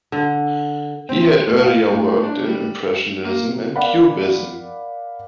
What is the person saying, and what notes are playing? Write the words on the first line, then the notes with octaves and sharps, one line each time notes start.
He had earlier worked in impressionism and cubism.
D3
C4
A2
F5
A2
D4
G3
A#3
A#4 D5 F5 F#5 B5